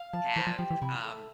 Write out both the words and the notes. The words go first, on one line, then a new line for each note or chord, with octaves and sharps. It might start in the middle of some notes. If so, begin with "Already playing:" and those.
have, um,
Already playing: F5
F3 A5
E3 C5
F3
F3 G4
E3
C3 E4
A3